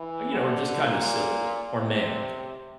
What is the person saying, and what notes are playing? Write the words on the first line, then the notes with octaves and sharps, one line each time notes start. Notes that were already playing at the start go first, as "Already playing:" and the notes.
eh, you know, are just kinda silly or manic.
Already playing: E3
D3
A#2
C3